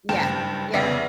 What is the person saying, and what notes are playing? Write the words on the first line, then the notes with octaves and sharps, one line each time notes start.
Yeah. Yeah.
F#1 G2 G5 E7
F1 C#3 B3 D5 E5 A#6